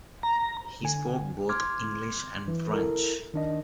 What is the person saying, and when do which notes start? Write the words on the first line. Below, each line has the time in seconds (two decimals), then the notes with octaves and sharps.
He spoke both English and French.
0.23 A#5
0.83 D3 G#5
1.49 C6 D6 F6 G#6
2.48 E3
2.73 E4 A4 A#4
3.34 D#3 D4 D#5